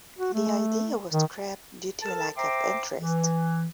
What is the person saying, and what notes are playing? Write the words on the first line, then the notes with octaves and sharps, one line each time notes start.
The idea was scrapped due to lack of interest.
F#4
A3
D#3
A4 A#4 A5
C5 E5 G5 A#5 C6 D6
E3